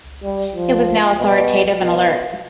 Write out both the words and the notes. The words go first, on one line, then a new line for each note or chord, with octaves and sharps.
It was now authoritative and alert..
G3
F3
B2
B2